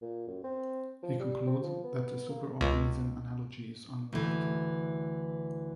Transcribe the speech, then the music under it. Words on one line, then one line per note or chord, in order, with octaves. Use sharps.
He concludes that "the superorganism analogy is unwarranted".
A#2
F#2
C4
F3
G3
C4
F3
B3
A#3
C#2
D2 E3